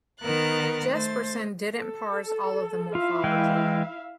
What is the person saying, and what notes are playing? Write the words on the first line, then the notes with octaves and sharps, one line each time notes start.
Jespersen didn't parse all of the morphology.
D#3 B3 A#4 F#6 A6
A3 C5 A6
A4
E4 F4 E5 F5
E3 G#3 G5